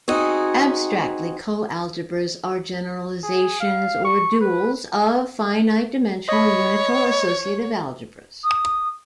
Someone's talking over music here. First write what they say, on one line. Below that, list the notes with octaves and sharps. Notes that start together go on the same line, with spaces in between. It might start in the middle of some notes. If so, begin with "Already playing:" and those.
Abstractly, coalgebras are generalizations, or duals, of finite-dimensional unital associative algebras.
C4 D#4 F#4 G#4
G#4
F5
C#6
B4
C#5 D#5 B5
D#6